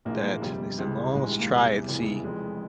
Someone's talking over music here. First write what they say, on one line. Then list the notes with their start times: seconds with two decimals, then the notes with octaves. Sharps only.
that they said, "Well, let's try and see
0.05 A#1 G#2 E3 A#3
0.14 G#3
0.23 A#3
0.33 G#3
0.42 G1 F2 C3 G3
0.78 C#2 C3 E3
1.14 A#1 G#2 E3 G#3
1.27 G3
1.39 A#3
1.50 E2 C3 E3 G3
1.87 F1 E2 C#3 E3
2.23 F1 F2 E3 G#3